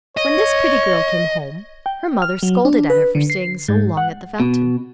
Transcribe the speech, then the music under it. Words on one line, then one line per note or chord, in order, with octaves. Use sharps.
When this pretty girl came home, her mother scolded at her for staying so long at the fountain.
C#5 D#5
G5
F6
F#3
D4
B4
D3
C7
G#2
F#5
B2